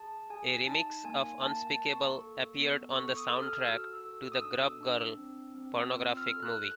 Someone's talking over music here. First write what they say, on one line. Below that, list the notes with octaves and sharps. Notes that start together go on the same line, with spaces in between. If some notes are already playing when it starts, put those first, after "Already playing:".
A remix of "Unspeakable" appeared on the soundtrack to the "Grub Girl" pornographic movie.
Already playing: G#4 A5
G#4 G#5
D#4 A5
A#3 G#5
A#3 A5
A5
A#3
C#6
A4
B3
A4 C#6
D#6
A4
F6
F#4 E6
A4
D#6
D4 E6
D4
C4
C4
F4 E6
F6
A4
F#6